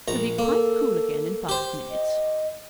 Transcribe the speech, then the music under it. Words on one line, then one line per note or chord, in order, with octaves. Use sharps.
He'll be quite cool again in five minutes.
A#1 A#5
A#3 A4
G4 C5
D#5